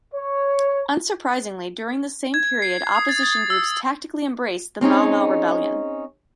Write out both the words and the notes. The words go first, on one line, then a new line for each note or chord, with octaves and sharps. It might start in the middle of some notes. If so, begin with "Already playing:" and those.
Unsurprisingly, during this same period opposition groups tactically embraced the Mau Mau rebellion.
C#5
G#6
C7
D#6
A6
A6
E6
C4 C#4 D#4 G#4